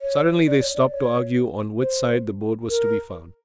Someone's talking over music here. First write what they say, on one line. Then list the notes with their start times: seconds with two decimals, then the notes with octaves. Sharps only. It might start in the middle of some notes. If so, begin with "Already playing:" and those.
Suddenly they stopped to argue on which side the boat was to be found.
0.02 C#5
0.47 D5
0.61 C#5
0.76 D5
0.91 C#5
1.79 C5
2.69 A#4